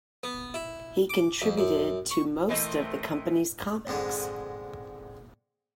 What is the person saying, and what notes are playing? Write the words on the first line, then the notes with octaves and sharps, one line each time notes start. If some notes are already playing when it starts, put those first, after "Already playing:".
He contributed to most of the company's comics.
B3
E4
D6
F2
F#2
C#6
E3 A3 C4 A#4 D#5
F2 G#2 D3 G#3